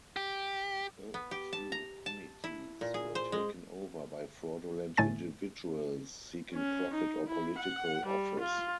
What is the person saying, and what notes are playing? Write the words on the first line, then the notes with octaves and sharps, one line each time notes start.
A few committees were taken over by fraudulent individuals seeking profit or political office.
G4
B3
G4
A5
A#5
A5
E4
A#2
G#4
C5
G#3
G1 A2 A3 G#5 A6
C#4
D#4
E4
F#5
G3
F4